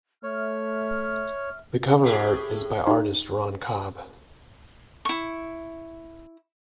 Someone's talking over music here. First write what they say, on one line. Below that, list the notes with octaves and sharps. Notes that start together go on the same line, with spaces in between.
The cover art is by artist Ron Cobb.
A3 C#5 E5 F6
A2 G4 G#4
D#4 G4
E4 C#6